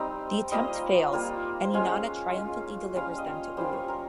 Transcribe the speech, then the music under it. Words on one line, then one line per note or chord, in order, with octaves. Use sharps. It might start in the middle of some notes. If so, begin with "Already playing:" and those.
The attempt fails and Inanna triumphantly delivers them to Uruk.
Already playing: G3 C4 D#4
G3 A#3 F4 D#5
G3 A#3 F4
C5
G#3 C#4 F4 C#5
G#3 C#4 F4
G3 C#4 F4 F5
D#5
C#5
G3 C#4 F4 C5
C#5
A#4